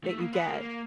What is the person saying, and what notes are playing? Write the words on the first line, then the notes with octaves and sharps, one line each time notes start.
that you get.
A3
A#3
B3
A#3
A#3